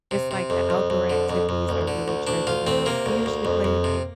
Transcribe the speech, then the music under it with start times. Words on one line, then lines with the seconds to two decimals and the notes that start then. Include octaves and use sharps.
it's like, the outdoor activities, I really treasure them, we usually play, like,
0.11 C3
0.31 C3
0.50 F2
0.70 F2
0.90 F2
1.10 D3
1.29 F2
1.49 F2
1.69 D2
1.88 D3
2.08 D2
2.27 D2 D4
2.47 D2 F4
2.67 D2 C4
2.86 C3 A#3
3.06 D2
3.26 D2
3.45 F2
3.64 F2
3.84 C3